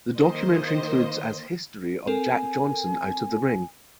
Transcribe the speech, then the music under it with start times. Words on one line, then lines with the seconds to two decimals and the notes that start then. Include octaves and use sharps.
The documentary includes as history of Jack Johnson out of the ring.
0.18 D#3 A#3 C5 D#5
2.07 C4 A4 A#4 G#5